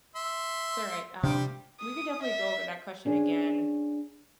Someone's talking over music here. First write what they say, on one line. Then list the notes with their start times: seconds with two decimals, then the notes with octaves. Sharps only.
It's all right, um, we could definitely go over that question again.
0.16 E5 C6
1.23 C3 G3 C4 D4 G4
1.80 D#6
2.22 E5
3.05 C#4 D4 G#4